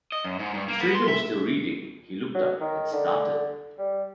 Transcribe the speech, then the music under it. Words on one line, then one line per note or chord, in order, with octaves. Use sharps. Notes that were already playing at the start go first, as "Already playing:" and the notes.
The stranger was still reading; he looked up and started.
D#5
F#2
G#2
G2
A#3
B3
C6
E5
F#3
D#3
D3
G3